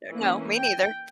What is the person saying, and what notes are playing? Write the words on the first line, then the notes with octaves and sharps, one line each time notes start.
Uh, no, me neither.
E3 A#3 C#4
G5